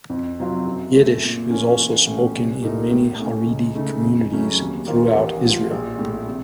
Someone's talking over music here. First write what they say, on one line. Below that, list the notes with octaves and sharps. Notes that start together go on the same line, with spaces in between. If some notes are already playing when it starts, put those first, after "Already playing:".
Yiddish is also spoken in many Haredi communities throughout Israel.
F2
C3 F#3 C4 F4
F#2
C#3 A3
A#2
F3 A#3 C#4
A1
A2 A3 C#4
C2
A#2 A3 D#4 A#4
A2
A3 C#4
C#2
C#3 A3 D#4
F2
C#3 F#3 A3 C#4
D#2
D#3 A#3 F4 C5
A1
A2 F3
A#1
A2 A3
C3